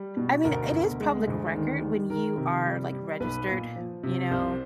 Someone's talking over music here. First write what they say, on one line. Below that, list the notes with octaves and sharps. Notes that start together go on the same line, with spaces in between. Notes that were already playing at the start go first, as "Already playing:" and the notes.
I mean, it is public record when you are, like, registered, you know?
Already playing: G3
B2
D2 A#4
D2
G#3
D2
D#3
D#3
D#3 A#4
C3
G3
G3
B1 B4
A#2
F3
C3
C2 C5